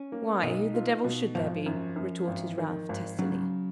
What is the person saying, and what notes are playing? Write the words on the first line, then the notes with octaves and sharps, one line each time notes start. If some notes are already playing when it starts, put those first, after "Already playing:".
'Why, who the devil should there be?' retorted Ralph, testily.
Already playing: C#4
A#3
B1 D#4
F4
B2
G#1 F3
F#2
F#2
G#1
D#3
G#1
C#3 F#3